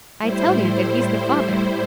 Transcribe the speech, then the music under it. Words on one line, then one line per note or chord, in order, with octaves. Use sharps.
"I tell you that he's the father."
A2 G3 E4 C5